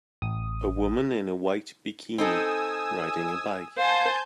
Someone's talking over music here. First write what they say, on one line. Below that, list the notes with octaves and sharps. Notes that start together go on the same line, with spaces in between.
A woman in a white bikini riding a bike.
A1 D#6
C4 D#4 A4 G#5 D#6 E6
C5 F5 G#5 A5 G6